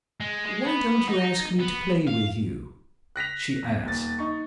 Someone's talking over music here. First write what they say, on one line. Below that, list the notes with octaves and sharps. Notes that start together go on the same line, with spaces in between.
"Why don't you ask me to play with you?" she asked.
G#3
G#3
B3
D#4
B3
F5
F#6 A#6 B6 F7
E2
D#1 A6
D#4 C#6